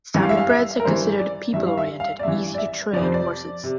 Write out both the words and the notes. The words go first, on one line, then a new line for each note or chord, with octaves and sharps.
Standardbreds are considered people-oriented, easy-to-train horses.
G2 E3
F5
E5
F5
E5
A#4
G2 E3 C5
D5
G2 E3 E5
F5
E5
F5
D5
G2 E3 E5
D5
E5
F2 C3 F3 D5
C5
D5
C3